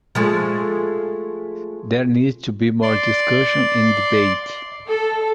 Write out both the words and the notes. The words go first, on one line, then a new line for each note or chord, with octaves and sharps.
There needs to be more discussion and debate.
F3 G#3 A3
D5 C6
A4